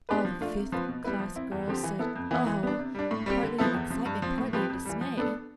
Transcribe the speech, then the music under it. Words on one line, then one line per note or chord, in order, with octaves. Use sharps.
All the fifth-class girls said, "Oh!" partly in excitement, partly in dismay.
B3 D4 G4 B4
F3
A3 D4 F4
C3
F3 C4 F4 B4
B2
G3 B3 E4 B4
F3
C4 E4
E2
D3 F3 C4 G4
E3
B3 E4 A4
F2
E3 B3 E4
E3
B3 D4
C3
G3 D4
A2
G3 C4 G4
D3
F3 B3 E4 A4
E2
C3 F3
G2
F3 C4
A2
F3 C4 G4 B4
F2
E3 G3
F3
B3 D4 A4